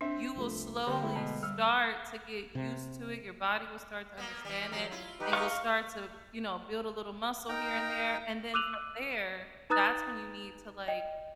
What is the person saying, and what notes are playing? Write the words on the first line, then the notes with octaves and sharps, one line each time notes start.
you will slowly start to get used to it. Your body will start to understand it, and you'll start to, you know, build a little muscle here and there, and then from there, that's when you need to, like,
C4 D4 E5
C2 F3 A3
D3 G3 A#3 G5
G#3 A3 E4
B2
G3 F6
C3
A#3 B3
E3 G3
E2 F#3 G4 A#4
E4 F4
F#3 D#4 G4 B4
A3 D#5 F5 C#6 F6
D#4 A#4 G5 A#5
D6 E6 F#6 D#7 F7 F#7
D#4 B4 A#5 D#6 F#6 A6
D#5 G5